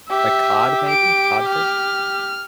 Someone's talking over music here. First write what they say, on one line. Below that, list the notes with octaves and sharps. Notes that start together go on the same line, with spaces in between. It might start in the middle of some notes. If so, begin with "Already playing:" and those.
Like cod maybe, codfish?
G4 E5
D7
F6